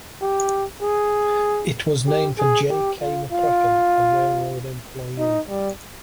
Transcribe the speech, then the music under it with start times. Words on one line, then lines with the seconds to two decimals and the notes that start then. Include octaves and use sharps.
It was named for J. K. McCracken, a railroad employee.
0.21 G4
0.82 G#4
2.07 G4
2.38 G#4
2.70 G4
3.01 F4
3.32 F4
5.19 D#4
5.48 G3